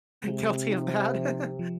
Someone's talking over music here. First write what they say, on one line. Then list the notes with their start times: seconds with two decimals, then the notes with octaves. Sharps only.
guilty of that.
0.23 C3 G#3
0.69 D#4
1.15 F3
1.59 F3